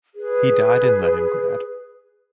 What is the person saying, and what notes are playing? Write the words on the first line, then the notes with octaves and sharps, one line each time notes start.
He died in Leningrad.
G#4 B4